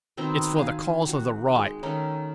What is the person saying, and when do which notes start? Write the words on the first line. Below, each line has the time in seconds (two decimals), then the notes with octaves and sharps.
It's for the cause of the right.'
0.17 B2 D#3 C4 A#5
0.54 F5 G#5 A#5
1.09 F#4
1.56 G#3
1.83 D#3 A3 C#4 D#4